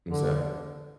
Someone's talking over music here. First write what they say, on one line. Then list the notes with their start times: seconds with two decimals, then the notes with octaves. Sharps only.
What's that?
0.09 D3